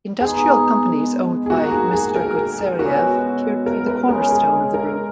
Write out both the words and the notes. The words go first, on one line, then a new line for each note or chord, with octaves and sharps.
Industrial companies owned by Mister Gutseriev appeared to be the cornerstone of the Group.
B2 G#3 B3 D#4 G#4
G#4
G#2 D#3 A#3 F#4
G#4
G#4
A#4
G#4
G#4
B2 G#3 C#4 E4 F#4
A#4
B4
C#3 G#3 C#4 A#4
G#4
A#4